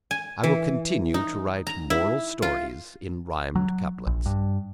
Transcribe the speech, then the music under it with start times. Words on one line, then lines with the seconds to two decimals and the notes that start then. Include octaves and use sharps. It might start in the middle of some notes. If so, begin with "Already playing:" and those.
I will continue to write moral stories in rhymed couplets.
0.11 G#5
0.44 E3
1.14 D#4
1.67 A#5
1.90 E4
2.42 F4
3.56 F#3
4.07 A#1
4.26 G2